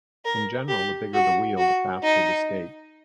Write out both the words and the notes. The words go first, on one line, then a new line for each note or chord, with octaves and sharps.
In general, the bigger the wheel, the faster the skate.
A#4
G4
F#4
F#4
D#4